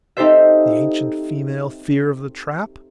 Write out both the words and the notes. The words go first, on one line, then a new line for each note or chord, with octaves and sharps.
The ancient female fear of the trap?
C4 D#4 G4 A4 C5 E5